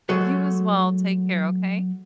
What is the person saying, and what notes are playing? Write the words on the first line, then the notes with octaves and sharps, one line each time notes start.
You as well. Take care, okay?
F#3 G#3 A3 F#4 G#4